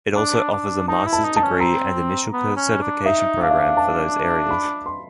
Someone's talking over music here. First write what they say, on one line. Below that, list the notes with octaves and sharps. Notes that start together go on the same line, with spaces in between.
It also offers a master's degree and initial certification program for those areas.
D4 A5
D4
D#4 A5
E4
A5
D#4
A5
C#4
C4 A#5
B3
C#4
D4
D#4 E5
D4 F5
E5
F5
A5
B5
C6